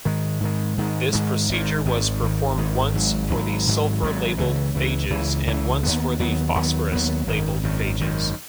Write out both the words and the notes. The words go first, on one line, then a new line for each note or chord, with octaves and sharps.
This procedure was performed once for the sulfur-labeled phages and once for phosphorus-labeled phages.
G#2 D#3 G#3
G#2 D#3 G#3
G#2 D#3 G#3
G#2 D#3 G#3
G#1 G#2 D#3
G#1 G#2 D#3
G#1 G#2 D#3
G#1 G#2 D#3
G#1 G#2 F#3
G#1 G#2 F#3
G#1 G#2 F#3
G#1 G#2 F#3
C#2 C#3 E3
C#2 C#3 E3
C#2 C#3 E3
C#2 C#3 E3
D#2 D#3 F#3 B3
D#2 D#3 F#3 B3
D#2 D#3 F#3 B3
D#2 D#3 F#3 B3
G#1 F#2 D#3
G#1 F#2 D#3
G#1 F#2 D#3